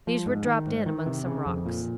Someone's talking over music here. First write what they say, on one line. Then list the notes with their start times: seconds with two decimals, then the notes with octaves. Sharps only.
These were dropped in among some rocks.
0.07 F3
0.26 G#2
0.47 D#3
0.67 G#2
0.86 D#3
1.06 C3
1.26 C#3
1.46 F2
1.66 A#2